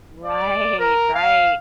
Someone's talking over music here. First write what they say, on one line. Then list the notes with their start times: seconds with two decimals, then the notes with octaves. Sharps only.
Right. Right.
0.24 D5
0.78 A#4
1.15 F5